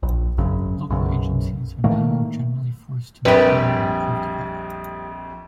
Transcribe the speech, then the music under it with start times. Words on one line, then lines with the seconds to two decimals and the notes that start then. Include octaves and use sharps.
Local agencies are now generally forced to maintain or improve the road.
0.03 A#1
0.38 G#1 F#2 C#3
0.90 B1 F#2 C#3
1.84 A2 D#3 A3 A#3
3.25 A#1 F2 G3 G4 A#4 B4